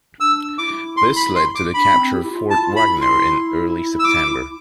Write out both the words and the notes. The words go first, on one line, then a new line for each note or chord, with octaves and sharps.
This led to the capture of Fort Wagner in early September.
D4 E6
E4 D6
C6
B5
C6
D6
D4 B5
C4
G4
E4
F4
E4 A5
F4
E4 B5
C6
E6
D6